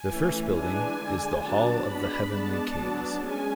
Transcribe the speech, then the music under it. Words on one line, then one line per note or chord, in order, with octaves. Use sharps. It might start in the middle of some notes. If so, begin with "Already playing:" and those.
The first building is the "Hall of the Heavenly Kings".
Already playing: G#5
E3 A3 C#4
E3 G#3 D4 G#5
D3 G#3 D4
F#3 B3 D4 A5
G#3 B3 D4 B5
G#3 B3 D4 A5
F#3 B3 D4
G#3 C#4 G#5